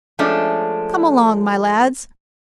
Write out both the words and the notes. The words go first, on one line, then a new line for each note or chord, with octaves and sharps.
Come along, my lads.
F3 G#3 A3 C#4 D4